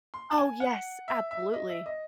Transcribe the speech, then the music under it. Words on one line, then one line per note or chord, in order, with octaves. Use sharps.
Oh, yes, absolutely.
C6
A5
G#5
F#5
E5
E5
D#5
E5
D#5